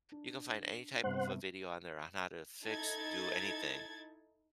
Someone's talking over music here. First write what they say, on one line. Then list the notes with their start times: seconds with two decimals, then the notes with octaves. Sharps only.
you can find any type of a video on there on how to fix do anything.
0.12 D4
1.04 G2 C3 B3 C5 F#5
2.65 D#4 E4 A4 G#6 A6